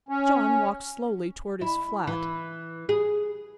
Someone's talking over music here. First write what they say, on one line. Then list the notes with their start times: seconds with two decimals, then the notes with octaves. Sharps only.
John walked slowly toward his flat.
0.09 C#4
1.61 E4
2.07 E3
2.89 G#4